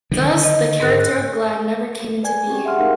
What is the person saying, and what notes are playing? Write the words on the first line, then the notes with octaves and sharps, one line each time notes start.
Thus, the character of Glen never came into being.
D3 D#3
D#5
G#2 A#4 F#6
B4 D5 G#5 G#6
C4 C#4 G4 G#4
E5 F#5 C6 F6
D#4 A#4 F5 F#5 C6